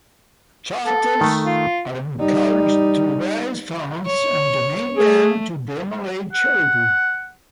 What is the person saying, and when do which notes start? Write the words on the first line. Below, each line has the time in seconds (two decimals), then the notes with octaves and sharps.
Chapters are encouraged to raise funds and donate them to a DeMolay charity.
0.85 A4
1.21 D#3 A3
1.45 F4
2.20 G3 D#4
4.06 C#5
4.97 A3 G#4
6.33 F#5